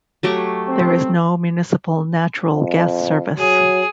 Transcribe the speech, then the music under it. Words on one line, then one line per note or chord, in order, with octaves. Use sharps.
There is no municipal natural gas service.
F#3 A3 G4
C4
F2
F#3 G#4